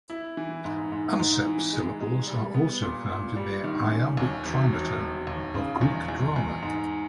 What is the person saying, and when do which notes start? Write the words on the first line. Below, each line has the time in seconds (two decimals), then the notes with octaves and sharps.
Anceps syllables are also found in the iambic trimeter of Greek drama.
0.10 E4
0.37 E3
0.65 G#2
0.92 G#2
1.19 G#2
1.46 E3
1.73 G#3
2.01 G#3
2.27 G3
2.54 B3
2.82 A#2
3.09 A#2
3.36 G3
3.64 D#3
3.91 C#4
4.17 D#2
4.45 E1
4.73 E1
5.00 E1
5.27 D#2
5.54 C#3
5.81 E2
6.08 E2
6.36 E2
6.62 G#2